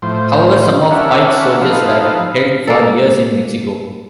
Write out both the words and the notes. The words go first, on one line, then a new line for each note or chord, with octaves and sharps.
However, some of Pike's soldiers were held for years in Mexico.
A2 F3 C5
C#4 D4 A#4 E5 F#5
F3 D#4 A4 B4 F5
A#3 A4